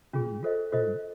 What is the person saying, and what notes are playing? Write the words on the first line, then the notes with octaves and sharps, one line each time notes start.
Mhm. Mhm.
C#4 F4 G#4
F4 A4 C5 D#5
F4 A4 C5 D#5